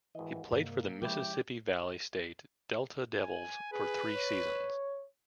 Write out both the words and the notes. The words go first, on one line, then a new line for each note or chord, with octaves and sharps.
He played for the Mississippi Valley State Delta Devils for three seasons.
G#1 E3 D#5
G2 C3 A#3
C#3 F3 G#3 E4 G4
G#5
G#4 B4
C#5